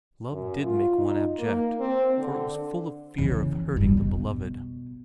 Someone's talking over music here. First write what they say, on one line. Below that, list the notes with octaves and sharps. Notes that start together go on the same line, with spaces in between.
Love did make one abject, for it was full of fear of hurting the beloved.
F#2
F4
D#4
A#3
C4
D3
C#3 E3
F1 G2
B2